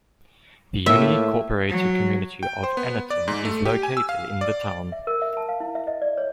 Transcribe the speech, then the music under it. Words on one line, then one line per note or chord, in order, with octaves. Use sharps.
The unincorporated community of Annaton is located in the town.
A2 A#3 F4 E5
F#3
G5
C5
B3
D5
G#2
A3
G4
G#5
E6
F5
D5
E5
A#4
E5
A5
F5
E4
E5
D#5
D5
C#5